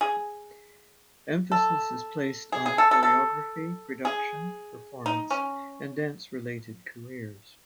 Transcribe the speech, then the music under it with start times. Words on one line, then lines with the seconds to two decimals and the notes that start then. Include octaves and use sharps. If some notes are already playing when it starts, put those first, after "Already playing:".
Emphasis is placed on choreography, production, performance, and dance related careers.
0.01 G#4
1.52 A4
2.52 G#4
2.66 G#4
2.78 A4
2.91 A4
3.03 A4
4.05 G#4
5.06 D#4
5.31 C#4